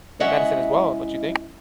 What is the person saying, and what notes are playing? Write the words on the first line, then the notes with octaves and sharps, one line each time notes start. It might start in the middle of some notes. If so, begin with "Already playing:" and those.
than medicine as well, don't you think?
G#3 C#4 E4 D#5 E5 F#5